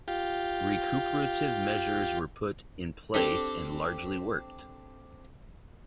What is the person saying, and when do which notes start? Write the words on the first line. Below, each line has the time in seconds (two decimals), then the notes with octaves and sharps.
Recuperative measures were put in place and largely worked.
0.08 F4 G4
3.14 C4 D4 G4 A4